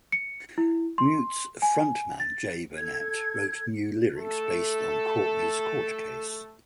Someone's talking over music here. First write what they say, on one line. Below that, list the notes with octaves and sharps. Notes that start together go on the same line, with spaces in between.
Mute's frontman Jay Burnett wrote new lyrics based on Courtney's court case.
C#7
E4
C6
G#5
A6
A4 G#6
A3 A4